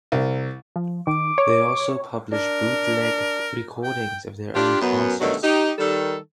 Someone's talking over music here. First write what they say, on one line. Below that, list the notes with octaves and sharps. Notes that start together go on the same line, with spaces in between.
They also publish bootleg recordings of their own concerts.
C2
F3
D#3 D6
C#5
D4 A#4
G5
D4 F4 G4
F#2 B3
B2 D3 D#3 F#3 G3 A3
D#4 G4
D#3 G3 A4